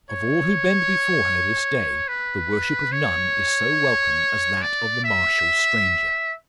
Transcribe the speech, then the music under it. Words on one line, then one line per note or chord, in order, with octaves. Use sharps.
Of all who bend before her this day, the worship of none is so welcome as that of the martial stranger.
C#5
B4
C#5
D5
E5